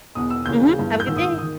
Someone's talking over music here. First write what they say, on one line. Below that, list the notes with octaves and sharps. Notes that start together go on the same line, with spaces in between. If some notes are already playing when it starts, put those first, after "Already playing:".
Mhm. Have a good day.
E1 E2 B2 D#6
E6
D#2 C#3 E3 G6
G1 G2 E3
G6
A#1 G#2 D#3 E6
D#6
E6
D#3 D#6